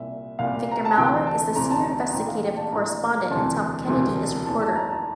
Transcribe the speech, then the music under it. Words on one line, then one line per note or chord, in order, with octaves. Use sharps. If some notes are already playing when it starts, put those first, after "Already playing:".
Victor Malarek is the senior investigative correspondent and Tom Kennedy is reporter.
Already playing: C2 A#2 E5
C2 A#2 F5
A#5
A5
D2 C3 E3 G5
A5
D2 C3 E3 A#5
A5
A5
A#5
A#1 A2 E3 G5
F5
G5
A5
A#1 A2 E3 A#5
E1 D2 C3 E3 A5
E1 D2 C3 E3
F1 E2 E3 A5
A5
A#5
A5